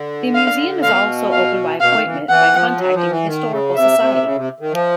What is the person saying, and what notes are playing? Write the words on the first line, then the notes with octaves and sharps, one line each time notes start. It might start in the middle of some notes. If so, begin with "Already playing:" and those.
The museum is also open by appointment by contacting the Historical Society.
Already playing: D3
F5
B2 F5
F5
B2 F5
D#3
E3
E3 F#5
F3
F#3
F3
E3
D#3
C#3
C3 E5
C3
C#3
C3
D#3
F3